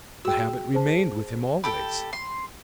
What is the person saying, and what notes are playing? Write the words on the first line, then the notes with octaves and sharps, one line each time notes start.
The habit remained with him always.
F#4 G#4 G5 E6
G#4 C5 A5
G4 A4 G5 B5
C6